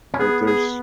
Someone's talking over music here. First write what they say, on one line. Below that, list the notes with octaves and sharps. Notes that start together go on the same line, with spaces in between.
But there's
C#4
B3 G#4
G#4